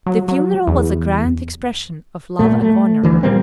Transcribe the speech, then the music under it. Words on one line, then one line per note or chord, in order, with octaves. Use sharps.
The funeral was a grand expression of love and honor.
F#3
F#3
E2
A#2 A3
A3
D2 E3
A#2 G3 A#3 C4